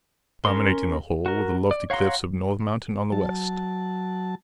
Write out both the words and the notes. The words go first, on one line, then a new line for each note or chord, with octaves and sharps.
Dominating the whole were the lofty cliffs of North Mountain on the west.
C#4 A#4 C6
F#4 A#4
D5
C#5 F5 F#5 A#5 C6
F#3 A5